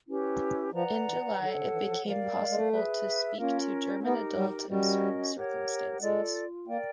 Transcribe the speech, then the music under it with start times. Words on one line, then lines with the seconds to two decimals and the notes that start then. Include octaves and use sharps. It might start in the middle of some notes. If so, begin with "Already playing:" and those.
In July, it became possible to speak to German adults in certain circumstances.
0.08 C#4 E4 G4 B4
0.74 F3 B4 D5 F#5 A#5
1.07 E3
1.39 D#3 A4 C#5 F#5
1.56 D3
1.73 E3
1.89 F3
2.06 F3 A#4 D5 F5
2.22 G3
2.39 G#3
2.49 G#3
2.55 A3
2.72 G#4 B4 E5
3.37 A#3 C#4 F4 A#4
4.03 B3 D#4 G4 A#4
4.36 G3
4.69 G3 C#4 F#4 A#4 D#5
5.36 G4 A#4 C#5 F#5
6.01 G#3 F4 A4 D5
6.67 A#3 A#4 D5 G5